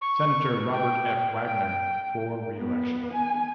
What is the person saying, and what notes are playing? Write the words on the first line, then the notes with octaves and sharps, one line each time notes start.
Senator Robert F. Wagner for re-election.
C#6
G5
G5
B3
G#5